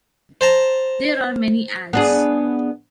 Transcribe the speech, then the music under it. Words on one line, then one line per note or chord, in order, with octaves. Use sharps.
There are many ads.
C5 A5 A#5
B3 D4 G#4